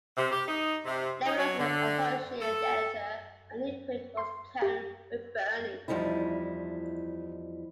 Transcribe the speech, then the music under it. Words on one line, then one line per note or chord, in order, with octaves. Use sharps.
Nevelow's associate editor on the imprint was Karen McBurnie.
C3
G4
D#4
C3
D#4
F#3
D3
A4
C6
G4
E2 F3 G3 D#4 E4